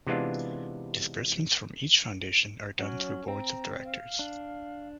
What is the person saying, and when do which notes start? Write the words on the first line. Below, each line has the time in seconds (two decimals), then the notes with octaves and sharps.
Disbursements from each foundation are done through boards of directors.
0.07 C3 E3 G#3 B3 D4 F4
2.79 F#3 C#4
3.28 C4 A#5
3.85 F5
4.19 D4